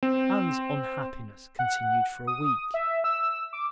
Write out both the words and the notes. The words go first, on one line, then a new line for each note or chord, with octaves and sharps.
Anne's unhappiness continued for a week.
C4
F#5
D#6
E5
E6
D6